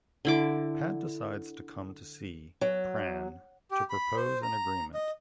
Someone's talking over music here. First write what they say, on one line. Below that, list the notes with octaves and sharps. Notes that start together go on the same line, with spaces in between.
Pat decides to come to see Pran to propose an agreement.
D3 E4 D6
F#3
G4
B5
C5
A#5
D#5